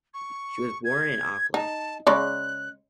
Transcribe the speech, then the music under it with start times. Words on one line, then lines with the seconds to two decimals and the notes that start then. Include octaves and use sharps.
She was born in Auckland.
0.13 C#6
0.84 G#6
1.54 D#4 A5
2.07 C#3 G#3 D5 F#6